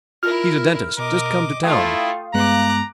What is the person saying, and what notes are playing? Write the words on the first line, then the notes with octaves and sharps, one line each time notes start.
He's a dentist, just come to town.
E4 F4 A#4 F6
B2 A#4 D#5 D6
A3 E4 F4 F5 G5 D#6
G2 G#3 B3 A#5 D6 F#6